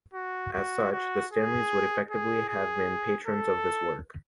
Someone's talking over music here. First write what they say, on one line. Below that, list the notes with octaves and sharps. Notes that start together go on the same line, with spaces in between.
As such, the Stanleys would effectively have been patrons of this work.
F#4
F#4
F#4
G#4
G#4
G#4
A4